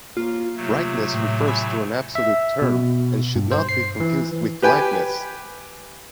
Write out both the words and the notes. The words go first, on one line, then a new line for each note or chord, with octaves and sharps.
Brightness refers to an absolute term and should not be confused with Lightness.
A#3 F4 C#5
C3 F#3 A3
A2
G#5 B5
E5
B2
G2
C5
C7
E3
G4 B4 G5 G#5